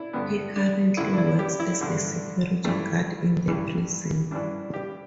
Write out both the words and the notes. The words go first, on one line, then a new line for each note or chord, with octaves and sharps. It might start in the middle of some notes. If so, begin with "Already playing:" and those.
He currently works as a security guard in the prison.
Already playing: D4 E4
G2 D3 B3
D4
G2 D3 E4
D4
E4
G4
E4
G2 D3
G2 E3 A3
G2 E3
G2 E3 D4
G4